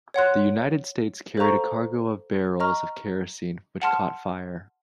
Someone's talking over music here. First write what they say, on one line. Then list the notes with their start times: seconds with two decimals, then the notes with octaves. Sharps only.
The "United States" carried a cargo of barrels of kerosene, which caught fire.
0.14 C#5 F#5 C6 F#6
1.37 A4 C5 F5 A#5 C#6
2.60 D#5 A#5 C#6 F6
3.82 F#5 A5 C6 F6